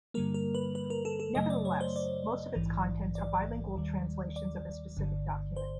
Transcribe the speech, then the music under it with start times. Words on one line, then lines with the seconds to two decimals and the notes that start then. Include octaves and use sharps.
Nevertheless, most of its contents are bilingual translations of a specific document.
0.14 G2 D3 G3 A#3 A#4
0.34 A#4
0.55 B4
0.75 B4
0.90 A#4
1.05 A4
1.20 A4
1.35 F#2 C#3 F#3 A3 D#5
1.50 D5
1.65 C#5
1.81 C5
1.96 D5
2.55 A#1 G#2 E3
3.15 D5
3.76 D#2 D#3 G3
4.36 D5
4.97 G1 G2 D3
5.57 C5